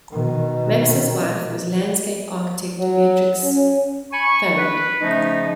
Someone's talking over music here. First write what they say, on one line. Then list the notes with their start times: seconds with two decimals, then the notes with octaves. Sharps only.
Max's wife was landscape architect Beatrix Farrand.
0.12 B2 D#3
2.79 F#3
3.44 C#4
4.12 G#5 B5 C#6
4.24 C#6
4.58 B4
5.01 C#3 F3 A3 C#4 D#4